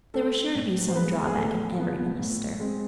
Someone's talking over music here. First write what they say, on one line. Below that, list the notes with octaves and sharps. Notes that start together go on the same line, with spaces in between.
There was sure to be some drawback in every minister.
A3 C4 A4
A2
C5
G#3 B3 B4
G#4
A2 A4
F3 B3
A2
G#3 C4